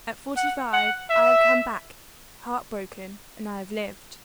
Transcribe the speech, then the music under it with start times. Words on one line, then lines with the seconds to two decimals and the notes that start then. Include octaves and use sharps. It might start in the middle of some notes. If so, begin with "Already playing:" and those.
At forty-five, I have come back, heart-broken, and I have lived.
0.37 F#5
0.73 F#5
1.10 E5